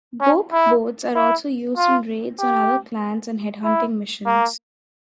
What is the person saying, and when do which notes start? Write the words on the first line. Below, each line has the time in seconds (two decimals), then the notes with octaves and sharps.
Gope boards are also used in raids on other clans and headhunting missions.
0.22 C#4
0.53 E4
1.15 E4
1.77 F4
2.39 G4
3.64 E4
4.26 A#3